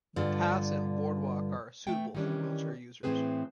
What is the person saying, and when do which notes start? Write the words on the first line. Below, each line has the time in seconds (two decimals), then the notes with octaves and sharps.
The paths and boardwalk are suitable for wheelchair users.
0.16 G2 D3 F4
1.87 E3 A3 G5
2.15 D#3 E3 G3 C#4 D4
3.03 A2 E3 F#3 C4 G#4 B4